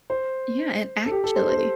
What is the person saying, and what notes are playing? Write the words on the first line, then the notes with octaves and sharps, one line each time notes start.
Yeah. And, actually"
C5
A4
G4
A4
C5
C5